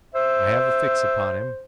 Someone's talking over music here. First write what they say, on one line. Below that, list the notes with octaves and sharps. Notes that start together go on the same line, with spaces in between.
I have a fix upon him.
C5 E5